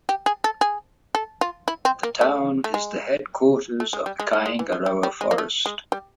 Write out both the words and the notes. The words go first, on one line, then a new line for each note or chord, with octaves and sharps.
The town is the headquarters of Kaingaroa Forest.
G4
G#4
A4
G#4
A4
F4
E4
C4
A#3
A3
A3
G#3
A3
G#3
G3
G#3
A3
G#3
E3
F3
G3
G3
G#3
A#3
A3
G#3
G3